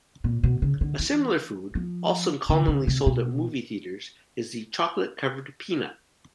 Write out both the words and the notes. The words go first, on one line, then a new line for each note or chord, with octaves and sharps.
A similar food, also commonly sold at movie theaters, is the chocolate-covered peanut.
A#2
B2
C#3
D3
E3
F3
D3
C#3
C3
B2